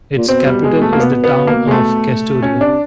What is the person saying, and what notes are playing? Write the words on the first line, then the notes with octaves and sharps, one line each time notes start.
Its capital is the town of Kastoria.
A#2
B2 C4
G3
G#3
A3
A#3
B3
B3
A#3
G#3
A3
C#4
B2
C3 D4